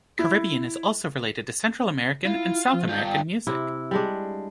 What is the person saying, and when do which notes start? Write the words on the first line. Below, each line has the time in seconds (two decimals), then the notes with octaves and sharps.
Caribbean is also related to Central American and South American music.
0.19 E4
2.25 E4 F4
2.73 F3
2.89 G2 F4 G6
3.05 G5
3.47 C3 E4
3.91 G3 G#3 D4